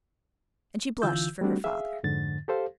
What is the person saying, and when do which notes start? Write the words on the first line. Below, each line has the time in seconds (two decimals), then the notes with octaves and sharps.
And she blushed for her father.
1.02 D3 E3 F4 E6 G6
1.41 G3 A3 C4 D4 F#4
1.64 G#4 E5 F5
2.03 F2 G#2 D3 A6
2.48 G4 A4 C5 F5